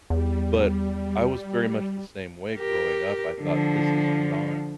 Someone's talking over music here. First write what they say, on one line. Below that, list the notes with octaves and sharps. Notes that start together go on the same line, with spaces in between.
But, I was very much the same way growing up. I thought this is not
E2 G3
G4 A#4
D3 F3